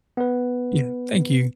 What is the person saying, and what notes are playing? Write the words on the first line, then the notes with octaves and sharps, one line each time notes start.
Yeah, thank you.
B3 B4